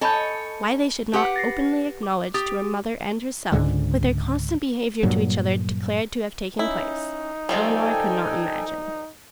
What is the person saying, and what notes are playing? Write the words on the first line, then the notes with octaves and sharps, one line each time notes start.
Why they should not openly acknowledge to her mother and herself, what their constant behaviour to each other declared to have taken place, Elinor could not imagine.
A4 C#5 D#5 G#5 B5 G6
G4 B4 F#5
A6 A#6 C7
D6
G4 D#6 A6
C#2 G#2 D3 G#3
G2 A#2 F#3
C#4 D#4 E4
D#3 F3 G3 A4 G5 G#5